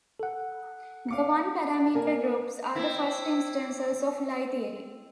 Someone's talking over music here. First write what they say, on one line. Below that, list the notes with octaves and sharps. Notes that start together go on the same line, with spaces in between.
The one-parameter groups are the first instance of Lie theory.
A4 F#5
F5 D6 C#7
A#3 A#4 G#5
C4 E4